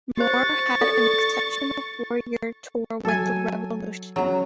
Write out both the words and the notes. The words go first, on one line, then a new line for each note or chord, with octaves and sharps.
Moore had an exceptional four-year tour with the Revolution.
G4 C5 C#6 A6
A4 D5
F#3 A4 G#5
F#3 C#4 F#4 G#4 A#5